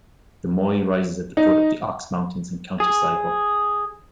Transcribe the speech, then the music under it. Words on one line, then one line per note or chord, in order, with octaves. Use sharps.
The Moy rises at the foot of the Ox Mountains in County Sligo.
D#4
G#4